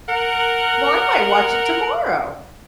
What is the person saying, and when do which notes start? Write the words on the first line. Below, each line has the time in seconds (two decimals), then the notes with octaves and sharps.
Well, I might watch it tomorrow.
0.08 A#4 F#5